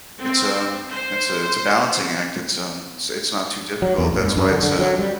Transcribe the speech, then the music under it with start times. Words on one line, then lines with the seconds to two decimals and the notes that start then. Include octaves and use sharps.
it's, um, it's a it's a balancing act, it's, um, it's not too difficult, that's why it's a
0.21 C4
0.92 C5
3.82 F#3
3.98 E2
4.12 A1
4.24 G2
4.37 F#2
4.50 D3
4.63 D3
4.79 F#3
4.99 G3